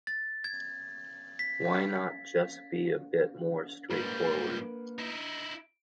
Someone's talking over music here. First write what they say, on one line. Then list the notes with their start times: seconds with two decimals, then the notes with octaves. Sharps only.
Why not just be a bit more straightforward?
0.07 A6
0.44 G#6
1.39 B6
3.90 G#2 G3 A#3 B4
4.99 D#4 E4